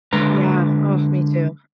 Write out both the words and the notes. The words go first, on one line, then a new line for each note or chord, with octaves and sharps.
Yeah. Oh, me too.
D3 G#3 B4 A#5